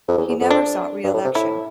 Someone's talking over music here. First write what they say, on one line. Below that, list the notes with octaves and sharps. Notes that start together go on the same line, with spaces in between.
He never sought re-election.
F2
E2
E2
F2
D4
G2
A2
C3
A2 E4